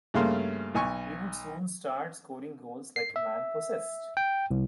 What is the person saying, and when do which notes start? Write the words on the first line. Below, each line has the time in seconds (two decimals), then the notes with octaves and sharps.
He would soon start scoring goals like a man possessed.
0.14 G2 C#3 A3 A#3 F5 C6
0.75 B1 G#5 C#6
2.96 C7
3.16 E5
4.17 G5
4.51 C2